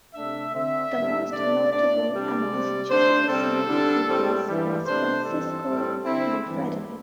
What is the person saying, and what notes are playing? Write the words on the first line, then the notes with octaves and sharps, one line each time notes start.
The most notable amongst Giuseppe's many pupils was Francesco Manfredini.
C3 A3 D4 E5
D3 C4 E5
A2 G3 D4
C3 A3 D4 D5
A2 A3 D4 D5
C3 G3 D4 D5
C3 G3 C4
D3 A3 D4 C5
C3 G3 C4 A4
D3 G3 D4
A2 G3 C4
G2 E3 G3
C3 A3 D4 C5
G2 E3 C4 A4
A2 G3 C4
D3 C4 E4
G2 E3 G3 D4